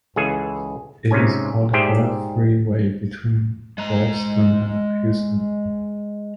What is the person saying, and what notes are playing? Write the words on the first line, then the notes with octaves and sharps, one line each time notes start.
It is called Gulf Freeway between Galveston and Houston.
C#2 E3 G#4 A4 G#5
G#2 C3 C#4 G#5
G#2 G4 G#4 C5 D5 E5
G#3 A#5